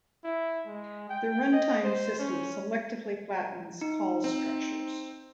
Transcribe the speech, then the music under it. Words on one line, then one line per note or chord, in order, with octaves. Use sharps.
The run time system selectively flattens call structures.
E4
G#3
G5
D#5
C5
C#4
D#4
C4